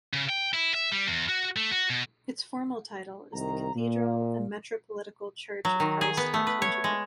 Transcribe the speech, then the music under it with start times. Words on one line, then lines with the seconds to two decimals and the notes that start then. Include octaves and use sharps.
Its formal title is the Cathedral and Metropolitical Church of Christ at Canterbury.
0.14 C#3
0.29 G5
0.54 E4
0.74 E5
0.92 G3
1.07 E2
1.29 F#4
1.57 A3
1.71 F#4
1.90 B2
3.33 C2 D#3 A#5
3.75 A#2
5.65 F#3
5.80 D#3
6.01 G#4
6.17 B3
6.34 A3
6.47 B4
6.62 C#5
6.84 G#3